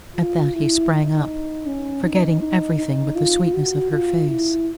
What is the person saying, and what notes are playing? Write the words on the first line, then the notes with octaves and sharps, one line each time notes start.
At that he sprang up, forgetting everything but the sweetness of her face.
F4
E4
D#4
C#4
D#4
D#4
D#4
F4
F#4
F4
E4